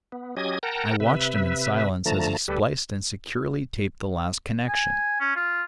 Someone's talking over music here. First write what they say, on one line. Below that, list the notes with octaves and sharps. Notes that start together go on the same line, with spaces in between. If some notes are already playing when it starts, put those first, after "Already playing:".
I watched him in silence as he spliced and securely taped the last connection.
B3
F#3 C#4 G4 D#5 D#6 G#6
A#4 F#5 G5 A5 A#5
C3 B4 E5
D3 F3 A3 A5 A#5
D2 G3 G4 A4 B4
G#5
C#4
F4